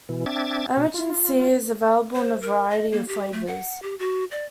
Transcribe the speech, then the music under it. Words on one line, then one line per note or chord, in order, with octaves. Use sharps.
Emergen-C is available in a variety of flavors.
B2 E3
C4 D4 E5 D6 G#6 A6
B2
F4
C5
A#4
D#5
A#3
G4
A3
F#5
G4
F#4
D5